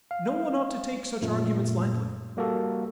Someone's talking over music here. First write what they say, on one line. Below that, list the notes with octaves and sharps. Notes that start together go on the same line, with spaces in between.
No one ought to take such arguments lightly.
F5
F#2 A#2 A3
G3 A#3 F#4 A4